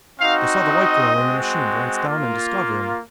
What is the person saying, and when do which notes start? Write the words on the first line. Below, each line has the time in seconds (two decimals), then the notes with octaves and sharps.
They saw the white girl in the machine glance down and discover him.
0.19 C4 D#4 F#4 F5
0.67 D#5
1.14 G#3 C4 F#4
2.07 A#3 F4